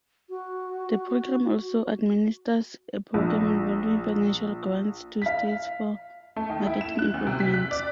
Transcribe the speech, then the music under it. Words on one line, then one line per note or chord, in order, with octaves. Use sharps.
The program also administers a program involving financial grants to States for marketing improvements.
F#4
A#1
F5 B6
A3
D#3
E4
E7
F#6
D2
C3
B6
F#6
D5